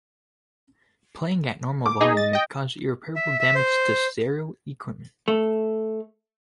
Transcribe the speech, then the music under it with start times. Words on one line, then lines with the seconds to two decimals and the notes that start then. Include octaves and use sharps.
Playing at normal volume may cause irreparable damage to stereo equipment.
1.86 D6
2.01 D#4 G#4 D#5
2.17 A6
2.33 D#5 G5
3.16 E5
3.40 E5
3.55 C5
5.28 A3